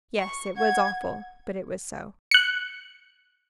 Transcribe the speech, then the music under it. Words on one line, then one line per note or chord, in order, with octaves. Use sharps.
Yes, it was awful, but it was so.
C#6
F#5 G#6
F#6 C#7